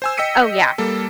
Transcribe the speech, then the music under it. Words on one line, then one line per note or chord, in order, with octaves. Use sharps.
Oh, yeah.
C5 G#5 E6
D#5 G5 E6 B6 C#7 D#7
G3 A#3 A4